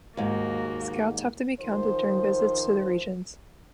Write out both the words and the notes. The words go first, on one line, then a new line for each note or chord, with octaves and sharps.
Scouts have to be counted during visits to the regions.
D#2 G#2 A#3 F#4
D#3 F3 C5